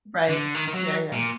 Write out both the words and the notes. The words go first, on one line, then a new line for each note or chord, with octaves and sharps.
Right. Yeah, yeah,
D3
D#3
D#3
F#3
A#2